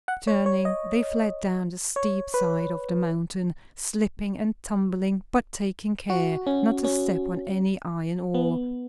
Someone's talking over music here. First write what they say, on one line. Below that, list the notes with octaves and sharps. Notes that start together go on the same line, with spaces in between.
Turning, they fled down the steep side of the mountain, slipping and stumbling, but taking care not to step on any iron ore.
F#5
C#5
C#5
D#5
C#5
B4
F#4
C#4
C#4
B3